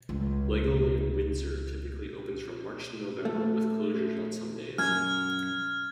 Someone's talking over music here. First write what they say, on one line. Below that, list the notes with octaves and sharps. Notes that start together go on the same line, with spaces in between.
Legoland Windsor typically opens from March to November, with closures on some days.
C#2 G#3
A3
F#2 F6 G#6